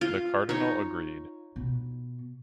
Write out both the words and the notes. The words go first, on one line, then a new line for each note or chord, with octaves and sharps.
The Cardinal agreed.
F4
D#4 C#5
B2